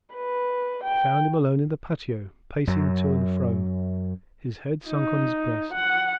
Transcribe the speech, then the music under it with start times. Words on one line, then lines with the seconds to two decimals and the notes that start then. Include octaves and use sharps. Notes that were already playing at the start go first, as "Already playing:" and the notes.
He found him alone in the patio, pacing to and fro, his head sunk on his breast.
0.14 B4
0.83 G5
2.67 F#2 F#3
4.87 D#4
5.72 F#5